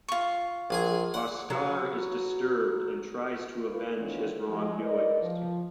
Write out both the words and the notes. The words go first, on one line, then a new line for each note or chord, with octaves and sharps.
Bhaskar is disturbed and tries to avenge his wrongdoings.
F4 C#6
A#1 G#4 G#5
F#5
F#3 F#4 B4
A#3 E4 F4 B4
D#3 E3 B3 C#4 D4 F4
F3 G3 G#3
A#4 B4 D5 D#5
F3